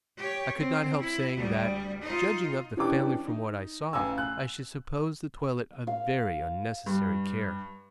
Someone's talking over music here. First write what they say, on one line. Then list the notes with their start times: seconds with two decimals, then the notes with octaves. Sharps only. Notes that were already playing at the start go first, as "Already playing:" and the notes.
I could not help saying, "that, judging of the family from what I saw, I should suppose the toilette a very unnecessary care."
0.17 G4 C#5
0.58 C4
1.01 E4
1.36 D2 G3
2.02 D#4 F4
2.77 E3 C#4 D4 G4 D6
3.27 D#4
3.93 A1 F5 G#5 E6
4.18 F#6
5.87 F5
6.86 G2